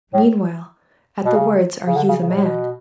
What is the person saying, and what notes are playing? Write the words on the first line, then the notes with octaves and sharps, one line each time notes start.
Meanwhile, at the words, Are you the man?
A2
B2
C#3
C#3
D3
C#3
C#3
B2
A2
B2